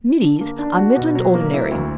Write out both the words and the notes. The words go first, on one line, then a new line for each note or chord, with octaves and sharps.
Middies are Midland Ordinary.
D3
A#3
D4
F#4
B2
F#3
A#3
E4
D2